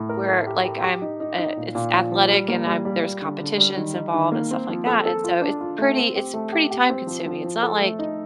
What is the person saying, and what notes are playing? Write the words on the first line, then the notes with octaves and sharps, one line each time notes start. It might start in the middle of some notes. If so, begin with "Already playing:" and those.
where, like, I'm, uh it's athletic, and I'm there's competitions involved and stuff like that, and so, it's pretty it's pretty time consuming, it's not like
Already playing: A2
A#4
A3
G4
G4
G4
D#4
D#4
D#4
A#2
A#2
F3
F3
G3
A#3
G3
G3
G3
D3
D3
G3
D#3
D#4
D#3
A#3
C4
F3
A4
A4
F4
D4
F4
A3
C4
G4
A3
G4
G4
C4
F3
F3
F3
A4
A3
D#4